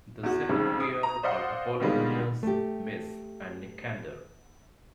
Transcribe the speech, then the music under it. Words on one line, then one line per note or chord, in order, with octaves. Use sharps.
The second pair are Apollonius Mys and Nicander.
E2 F#4
F2 G#2 C#3 G3
D#6
A#5
C5 D5 D#5 F5 F#5
D3 D#3 G3 G#3 B3 F4
A3 G4